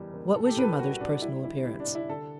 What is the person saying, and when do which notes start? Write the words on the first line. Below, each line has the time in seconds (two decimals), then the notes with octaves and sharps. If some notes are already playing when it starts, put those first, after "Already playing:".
"What was your mother's personal appearance?"
Already playing: F#1 E2 G3
0.13 F#1
0.35 C2 A4
0.46 A4
0.49 G4
0.56 C2 B4
0.64 A4
0.79 G3 F#4
1.01 C2 D4
1.22 G3 E4
1.44 D2 E4
1.65 C3 E4
1.80 D4
1.87 C3
1.95 E4
2.09 D3 A4